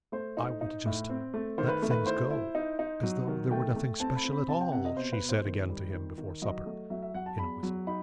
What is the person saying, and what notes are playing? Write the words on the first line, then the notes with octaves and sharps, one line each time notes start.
'I would just let things go, as though there were nothing special at all,' she said again to him, before supper, in a whisper.
A3 C5
D#4
D#4
A2
C4
A3
D#3 C5
B4
A3
B4
E4 C5
E4
D#4
D#4
F#3
D#3
A3 G5
A3
C4 A5
B5
C4
B5
C3 A5
G5
C3 F#5
D#5
B2 C5
B4
B2
C5
D#3
G3
D#3
D#3
F#3 D#5
A3
F#3 E5
E5
F#3 F#5
A5
E2 B5
F#3
D#4 B5